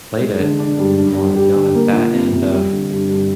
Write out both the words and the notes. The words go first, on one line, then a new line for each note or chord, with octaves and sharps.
played it more, to be honest, that and, uh,
G#3
D3
D4
G2
D4
G3
G4
D3
A#3
F3
C3
C3
G3
D3
G2
G2